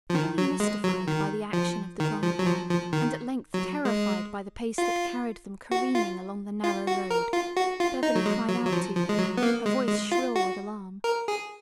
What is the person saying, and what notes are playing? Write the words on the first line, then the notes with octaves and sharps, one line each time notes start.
Thoroughly mystified by the action of the driver and at length terrified by the pace that carried them careening along the narrow road, Beverly cried out to him, her voice shrill with alarm.
F3
D#3
F#3
G#3
F#3
D#3
F3
D#3
F3
F#3
F3
F3
D#3
F#3
G#3
F4
F#4
F4
F4
F#4
A#4
F4
F#4
F4
D#4
F#3
G#3
F#3
F#3
F3
F3
G#3
F#3
B3
A#3
G#3
G#3
F4
F#4
A#4
G#4